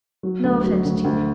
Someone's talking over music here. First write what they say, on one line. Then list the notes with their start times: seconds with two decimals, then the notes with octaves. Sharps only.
No offence to you.
0.23 F#3
0.44 D2
0.64 F#3
0.84 D2
1.04 D2